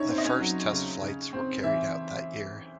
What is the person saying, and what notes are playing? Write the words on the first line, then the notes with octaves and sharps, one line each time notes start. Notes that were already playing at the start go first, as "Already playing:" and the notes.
The first test flights were carried out that year.
Already playing: C#4 D#4 E4 C#5
C4
D#5
C#4 C#5
F#3
C#3
C#3
C4
E3 E5